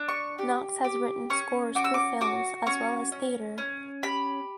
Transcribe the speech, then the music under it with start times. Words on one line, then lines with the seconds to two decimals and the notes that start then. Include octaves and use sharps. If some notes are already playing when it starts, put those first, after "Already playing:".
Knox has written scores for films as well as theater.
Already playing: D4
0.08 C#6
0.39 G4
0.84 G4
1.30 C#4 C#6
1.75 F#4 D6
1.84 E6
1.94 D6
2.21 F#4 D6
2.66 C#4 C#6
3.12 C#4
3.58 C#4
4.03 G4 B5